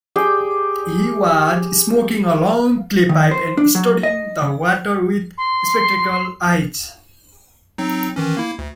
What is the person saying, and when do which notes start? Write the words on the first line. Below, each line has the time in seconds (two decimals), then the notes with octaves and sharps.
He was smoking a long clay pipe and studying the water with spectacled eyes.
0.16 G4 G#4 G5
3.09 D#3
3.31 C5
3.57 D4
3.75 F#3
4.03 D#5
4.42 C#3
5.37 C6
7.78 F#3 C4 D#4
8.16 D#3 E3 C#4
8.37 A#3 E4
8.59 D2